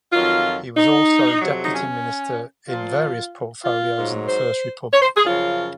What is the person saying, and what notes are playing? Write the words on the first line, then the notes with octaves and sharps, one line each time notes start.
He was also deputy minister in various portfolios in the first republic.
F2 D#3 F#3 F4
D#4
F2 C3 F#3
D#4
C#4
A#2 F3 F4
F4
G#2 F#3
C5
C#5
C5
G#4
F#2 C#3 F3 F4